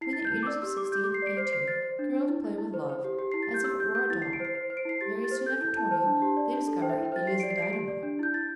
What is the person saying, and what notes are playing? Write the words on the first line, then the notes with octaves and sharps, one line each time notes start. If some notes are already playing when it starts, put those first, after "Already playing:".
Between the ages of sixteen and eighteen, girls play with love as if it were a doll; very soon after twenty they discover it is a dynamo.
E4 C7
A6
E4
G6
E4
D6
D5 E6
G4 E6
G4 D6
G4 G6
D6
G4
C7
D5 D7
C5 C7
C5 C7
C5 A6
C5
D4
D4
E4
E4
E4
C5
C5
G4
G4
E4 C7
A6
G4
G6
G4 E6
G4 G6
G4 G6
E4 A6
E4 C7
D7
C5 C7
C5
C5
D7
E4 C7
G4 A6
G4
A6
C5
A4 G6
E4 G6
E4 A5
C5 A5
D4
G4
D5
D4
A4
C5 G5
E5
G5
E4
G5
C5 A6
G4 C7
D7
D5
C7
D5 D7
G4 D7
D5
D4
E4 G6
E4 A6